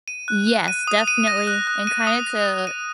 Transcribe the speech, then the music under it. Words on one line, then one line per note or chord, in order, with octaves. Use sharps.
Yes, definitely, and kinda to
D#7
F#6
F#6
D#7
D#6
D#7
A#6
F#6
F#6
D#7
D#6
A#6
F#6
D#7